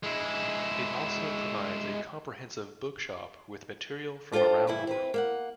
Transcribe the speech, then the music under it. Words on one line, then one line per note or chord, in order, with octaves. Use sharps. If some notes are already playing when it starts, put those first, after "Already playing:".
It also provides a comprehensive bookshop with material from around the world.
G#3 E4
D4 F4 A4 C5 G5
G2 C#3 E3 E4
C4 E4 B4
A#3 E5 F#5